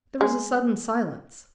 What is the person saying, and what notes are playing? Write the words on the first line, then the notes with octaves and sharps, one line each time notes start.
There was a sudden silence.
G#3